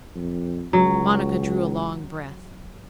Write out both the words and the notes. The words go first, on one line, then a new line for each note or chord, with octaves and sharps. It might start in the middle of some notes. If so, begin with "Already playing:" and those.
Monica drew a long breath.
F2
C#2 F#3